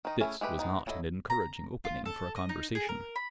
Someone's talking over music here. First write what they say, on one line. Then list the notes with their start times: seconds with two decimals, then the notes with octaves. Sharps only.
This was not an encouraging opening for a conversation.
0.05 D#3 D#4
0.21 A3 C#4 E4 G#4
0.41 G#3 A3 G4 B4
0.59 G#3 B3 D#4
0.87 F#3 E4 A4 D#5
1.30 A#5
1.85 F4
2.05 A4
2.36 D#5
2.49 D#4
2.75 G#4
2.89 A#4
3.16 B5